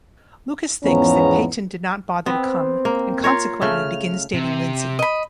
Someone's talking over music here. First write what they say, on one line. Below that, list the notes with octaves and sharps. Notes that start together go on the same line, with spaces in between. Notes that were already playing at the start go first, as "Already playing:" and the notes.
Lucas thinks that Peyton did not bother to come, and consequently begins dating Lindsey.
E2 G#2 F3 B3 C#4 A#5
B3 C4
A#3
F4 A#4 C#5
C#3 A3 F6
C3
D#5 B5